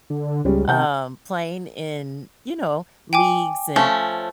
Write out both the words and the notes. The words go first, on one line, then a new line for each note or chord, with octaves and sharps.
um, playing in, you know, leagues and
D3
C#2 G3 G#3 C#4
C3 F#5 A5 G6
G5 G#5 D6
F3 A3 C#4